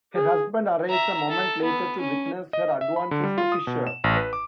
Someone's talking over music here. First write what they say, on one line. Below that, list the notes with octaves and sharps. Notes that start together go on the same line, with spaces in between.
Her husband arrives a moment later to witness her advances to Fischer.
G#4
E5 A#5
A4
B3
C#4
D#5
E5
B5
D3
G3
F4
D#6
B2
E7
A1
B4
D6